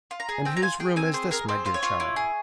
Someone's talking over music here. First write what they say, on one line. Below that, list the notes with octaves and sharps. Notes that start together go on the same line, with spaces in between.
"And whose room is this, my dear child?"
F4
A#5
G#4
C4 G5
A#5
F4 G#5
G#4 G5
C4 G#5
G#4 C5
G#4 A#4
C4 C5
F4
C#5
F4
E4
G#4